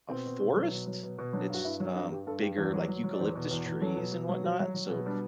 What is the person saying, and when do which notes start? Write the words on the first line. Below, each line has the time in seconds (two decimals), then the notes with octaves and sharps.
a forest it's, uh, bigger, like, eucalyptus trees and whatnot, so
0.09 B2 C4
0.26 B2
0.40 B2
0.56 F#3
0.71 B2
0.87 F#3
1.03 B2
1.19 B2
1.33 F#3 D4
1.50 G2 F#4
1.64 G2 E4
1.80 F#3
1.95 G2 F#4
2.11 G2 G4
2.27 G2 A4
2.42 G2 G4
2.58 E2
2.73 F#3
2.88 F#3
3.04 F#3
3.14 D5
3.20 E2 C5
3.35 B2
3.51 E2
3.66 E2
3.81 F#3 A4
3.97 B2
4.12 B2
4.29 F#3
4.44 F#3 F#4
4.60 F#3
4.74 F#3
4.90 B2
5.06 G3 D4